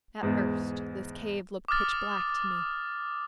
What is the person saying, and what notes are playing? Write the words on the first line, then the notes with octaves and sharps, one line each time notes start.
At first this cave looked pitch-black to me.
E2 G#2
D6 D#6 F6 A6